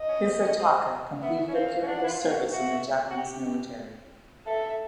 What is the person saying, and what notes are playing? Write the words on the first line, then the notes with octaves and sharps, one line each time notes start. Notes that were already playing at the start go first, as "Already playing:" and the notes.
Hisataka completed a period of service in the Japanese military.
Already playing: D#5
C#4
C4
C#4
C4
B3 E5
C#4
C4 F5
C#4
D4 F#5
E4
F4
F5
F#4
F#4 E5
F#4
G4
A4 E5